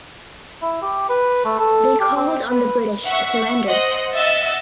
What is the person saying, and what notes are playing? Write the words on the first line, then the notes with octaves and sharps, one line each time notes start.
They called on the British to surrender.
E4
G4
B4
A3
A4
G4
C4
B4
E5 F#5 C#6
C5 D#5 F#5
D#5 E5 F#5 E6 A6